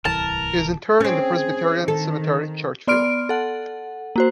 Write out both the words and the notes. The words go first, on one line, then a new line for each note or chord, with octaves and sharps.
He is interred in the Presbyterian Cemetery, Churchville.
D1 C2 E3 A#4 A5
C4 C#4 G#4
D#3 A4
B3 D5 C6 F6 D7
A4 F#5
A#3 F#4 C5